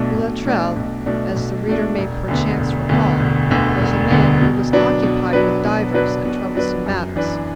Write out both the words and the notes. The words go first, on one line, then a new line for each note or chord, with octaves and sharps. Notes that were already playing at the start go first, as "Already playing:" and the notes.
Boulatruelle, as the reader may, perchance, recall, was a man who was occupied with divers and troublesome matters.
Already playing: B1 B2 A3 D4
B1
B2 A3 D4
B1
B2 A3 D4
B1
B2 A3 D4
E1
D2 D3 B3
E1
D2 D3 B3
E1
D2 D3 B3
E1
D2 D3 B3
B2
F#3 D4 B4
B2
F#3 D4 B4
B2
F#3 D4 B4
B2
F#3 D4 B4
F#2
E3 D4 B4